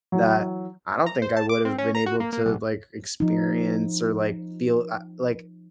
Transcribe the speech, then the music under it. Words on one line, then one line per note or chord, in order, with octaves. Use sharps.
that I don't think I would've been able to, like, experience or, like, feel, uh like,
E3 F#3
A#5
C5
A5
D6
C4
C#4
A#5
F#4
A#3
A#3
B1
F3 D#4